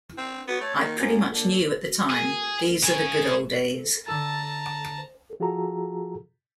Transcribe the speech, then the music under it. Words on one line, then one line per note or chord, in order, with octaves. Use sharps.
I pretty much knew at the time, 'These are the good ole days.
C4
B3 F#4
A3 C#5
D#3 A#3
F#2
D3
G#4
C#3 G#4
D3 A4 A5 A#5 A6
F3 F4 F#4 G#4 A4 A#5